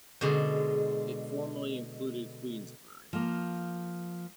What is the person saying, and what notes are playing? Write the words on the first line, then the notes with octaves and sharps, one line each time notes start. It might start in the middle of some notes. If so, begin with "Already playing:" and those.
It formerly included Queensbury.
B2 D3 G#3
F3 A#3